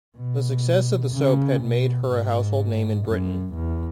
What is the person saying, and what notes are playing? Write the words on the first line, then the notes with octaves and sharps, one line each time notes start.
The success of the soap had made her a household name in Britain.
B2
C#3
B2
G#2
F#2
E2